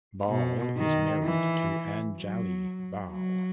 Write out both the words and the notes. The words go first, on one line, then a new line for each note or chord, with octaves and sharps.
Bahl is married to Anjali Bahl.
B2
D#3
E3
F#3
F#3